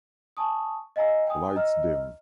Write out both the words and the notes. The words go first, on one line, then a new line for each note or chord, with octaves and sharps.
The lights dim.
G#5 A5 C#6 D#6
D#5 F5 G#5 A#5 E6
G5 G#5 D#6
D#5 A#5 E6 F6